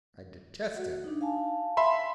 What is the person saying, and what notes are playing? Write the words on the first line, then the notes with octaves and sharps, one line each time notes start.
I detest him!
F#4 F#5
D4 D#4
F5 G#5 A5
E5 B5 C6